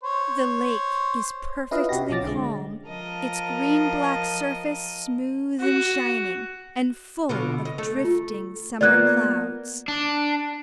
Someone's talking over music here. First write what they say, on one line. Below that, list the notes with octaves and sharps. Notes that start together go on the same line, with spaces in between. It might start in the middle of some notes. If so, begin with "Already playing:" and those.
The lake is perfectly calm, its green-black surface smooth and shining, and full of drifting summer clouds.
C5 C#5
C#4 E4 F4 B4 D#5 F5
C3 F#4 G4 A#6
B1 F3 C#4 D6 A6 A#6
D3 G#3
F3 A#4 D#5 A5
F#4
B2 D3 F4
D#5
A3
F4
A#3 B3 F4 D5 F#6 G#6
D4